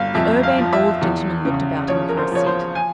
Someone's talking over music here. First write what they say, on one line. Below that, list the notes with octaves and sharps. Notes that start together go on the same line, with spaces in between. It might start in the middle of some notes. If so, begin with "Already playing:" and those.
The Urbane Old Gentleman looked about him for a seat.
Already playing: G1 F5
F2 E5
F5
F3
E5
E2
C#3
F3 C#5
A#4
C5
F3 C#5
C5
G#5